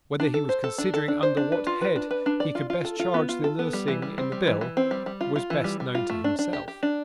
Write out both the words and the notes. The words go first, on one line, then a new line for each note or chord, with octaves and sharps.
Whether he was considering under what head he could best charge the nursing in the bill, was best known to himself.
D4
A4
C5
A4
D4
A4
D4
C5
D4
B4
F4
B4
D4
B4
D4
D5
F4
F4
A4
F4
B3
F4
A4
B3
G3
E3
G3
C4
G3
E3
E3
C4
G3
G3
F4
F4
E3
G3
G3
F4
A3
D4
D4
G4
G4
D4